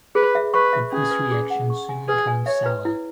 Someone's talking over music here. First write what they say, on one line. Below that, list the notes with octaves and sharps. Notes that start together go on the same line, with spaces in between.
But this reaction soon turned sour.
G#4 B4
E5
B4 C#6
E5
C#4 G#4
B4
G#4
F#5
C#6
G#5
G#4 B4
G#5
C#5 E5
B4
E4